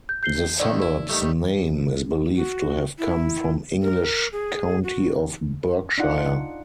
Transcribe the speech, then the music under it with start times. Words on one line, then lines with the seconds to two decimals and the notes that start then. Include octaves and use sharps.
The suburb's name is believed to have come from English county of Berkshire.
0.09 G6
0.23 G6 C7 G7
0.60 D3 D#3 A3 D5
0.82 E4
1.09 D#3 G3 A3
2.35 F#4
2.98 E4
3.82 A#4
4.32 G#4
4.83 F#4
5.98 D4 D#4 F4 F#5